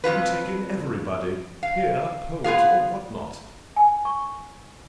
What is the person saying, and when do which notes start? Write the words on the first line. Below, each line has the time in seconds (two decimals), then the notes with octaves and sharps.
We take in everybody--peer, poet, or what not.
0.04 F2 C3 F4 B4
1.63 F5
2.44 B3 F4 G#4 F5
3.76 G#5
4.05 C#6